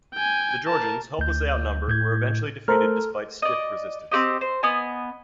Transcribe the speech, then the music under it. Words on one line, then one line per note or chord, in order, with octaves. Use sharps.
The Georgians, hopelessly outnumbered, were eventually defeated despite stiff resistance.
G5 G#5
A#4 A5
D2 G6
A2 G6 G#6
A3 A4 A#4 C5 F6
D5 D#5
C4 F#4 G4 D#5
C5
B3 D#5 G#5